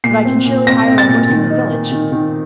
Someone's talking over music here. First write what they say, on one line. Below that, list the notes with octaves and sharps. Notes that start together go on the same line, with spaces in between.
"But I can surely hire a horse in the village?"
A#2 C7
C4
A#2
C4 A#6
C4
A6
A#2
D#3
D#4
A#3
D#3
D#3